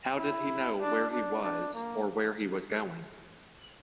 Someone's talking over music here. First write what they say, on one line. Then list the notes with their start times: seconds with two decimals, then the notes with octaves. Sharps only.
How did he know where he was or where he was going?
0.17 E4
0.80 D4
1.10 D4
1.43 D4
1.74 A#3